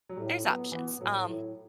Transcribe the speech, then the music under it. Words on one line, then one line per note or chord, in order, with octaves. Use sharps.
there's options, um,
F#3
A2 G3
F#3 B3
E3 B3
A2 F#3
A2